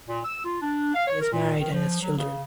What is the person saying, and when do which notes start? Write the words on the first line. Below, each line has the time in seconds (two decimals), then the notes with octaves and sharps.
He is married and has children.
0.08 A#2
0.25 E6
0.45 F4
0.62 D4
0.94 F5
1.07 C#5
1.21 A#4
1.33 A#2
1.60 D#3
1.73 F3
2.01 F#3
2.17 C#3